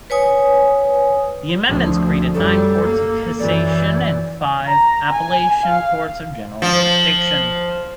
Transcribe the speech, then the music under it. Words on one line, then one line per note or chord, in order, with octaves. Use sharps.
The amendments created nine courts of cassation and five appellation courts of general jurisdiction.
B4 C#5 G#5 D#6
D2 F3
F#2 G3 A4
A#3
F#2 E3 D5
A#5
G#5
F5
F3